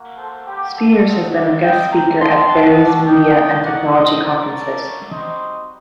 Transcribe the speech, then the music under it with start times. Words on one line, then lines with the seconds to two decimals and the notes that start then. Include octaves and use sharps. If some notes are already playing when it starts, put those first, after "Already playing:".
Spiers has been a guest speaker at various media and technology conferences.
Already playing: A#3 F#4
0.17 A4 C5
0.47 G3 A#3 F#4 G4
0.76 A4
1.05 C4 D#4 F#4
1.33 D5 F#5
1.63 G3 C4 G4 D#5 G5
1.92 G5 A#5
2.21 C4 D#4 G4 A5 C6
2.50 F#5 A5
2.78 A3 D4 G4
3.07 D#5 G5
3.37 A#3 D#4 F#4
3.65 D5 F#5
3.95 C4 F#4 C5 D#5
4.24 A#4 D5
4.53 A3 D4 F#4
5.10 G3 C4 D#4 F#4 C5 D#5